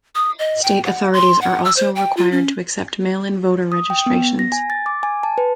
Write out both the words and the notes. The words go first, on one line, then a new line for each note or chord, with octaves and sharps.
State authorities are also required to accept mail-in voter registrations.
D#6
D#5
G5
F#5
C6
F#5
E6
C5
G5
F4
C#4
D#6
G5
B3
A#6
G#5
A6
D6
G#5
A5
B4